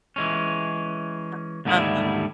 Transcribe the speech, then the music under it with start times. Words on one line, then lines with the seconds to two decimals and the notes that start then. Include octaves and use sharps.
Uh uh-huh.
0.16 E3 G#3 C#4
1.65 D#2 G#2 D3 G3 E4 G#4